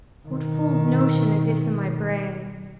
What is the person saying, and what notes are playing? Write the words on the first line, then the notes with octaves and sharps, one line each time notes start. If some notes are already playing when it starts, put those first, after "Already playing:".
What fool's notion is this in my brain?
B2 D#3